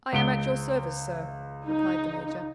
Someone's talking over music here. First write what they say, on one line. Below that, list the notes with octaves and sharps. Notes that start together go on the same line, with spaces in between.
"I am at your service, sir," replied the major.
C#2 D7 G7
D#4